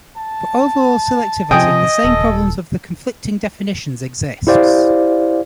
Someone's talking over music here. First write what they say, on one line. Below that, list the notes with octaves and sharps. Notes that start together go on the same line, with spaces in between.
For overall selectivity the same problem of the conflicting definitions exists.
A5
C3 F3 D#5 G5 G#5 D#6
D#1 A4
E4 G4 C5 D5 F5